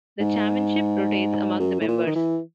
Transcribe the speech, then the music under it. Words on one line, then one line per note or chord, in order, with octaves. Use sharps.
The chairmanship rotates among the members.
G#2
F#2
A2
A#2
D#3
E3